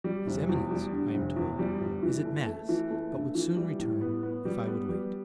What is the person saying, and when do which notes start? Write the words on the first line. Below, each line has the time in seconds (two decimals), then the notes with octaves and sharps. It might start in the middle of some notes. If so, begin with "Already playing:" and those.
"His Eminence," I am told, "is at Mass, but would soon return, if I would wait."
0.04 G3
0.27 F1
0.49 E2
0.71 G3
0.93 D3
1.15 F1
1.36 E2
1.59 G3
1.81 G1
2.03 E3
2.25 A3
2.47 A3
2.69 E3
2.91 A3
3.13 G2
3.35 E3
3.57 G3
3.79 A2
4.01 B3
4.23 B3
4.45 G3
4.67 B3
4.89 G3